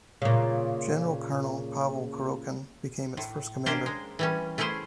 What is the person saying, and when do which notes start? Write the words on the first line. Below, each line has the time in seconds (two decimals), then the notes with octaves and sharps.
General Colonel Pavel Kurochkin became its first commander.
0.22 A#2 C#3
3.17 A2
3.66 A#3 C#4 D4 G4 C5
3.86 G#3
4.19 E3 G3 C#4
4.58 A3 C#4 E4 G#4 C5